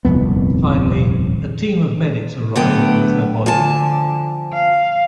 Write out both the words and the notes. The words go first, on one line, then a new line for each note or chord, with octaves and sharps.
Finally a team of medics arrive with her body.
D#1 C2 F2 B3
D3 F#3 A3 B3 G5
D3 F3 G#5 A5
F5